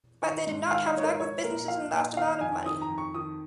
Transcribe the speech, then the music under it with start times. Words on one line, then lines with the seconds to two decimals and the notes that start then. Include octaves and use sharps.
But they did not have luck with businesses and lost a lot of money.
0.22 D#3 C#6
0.47 G#2
0.71 D#3 F5
0.87 D#5
0.95 G#2 C#5
1.03 A#4
1.19 F3 C#5
1.43 A#2 A#4
1.68 F3 F5
1.92 A#2
2.17 D#3 F5
2.41 F2 G#5
2.66 D#3 D#6
2.82 A#5
2.90 F2
2.98 C#6
3.14 D#3 D#6